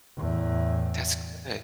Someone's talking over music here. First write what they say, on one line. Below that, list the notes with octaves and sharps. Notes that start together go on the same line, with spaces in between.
That's good.
E2 A2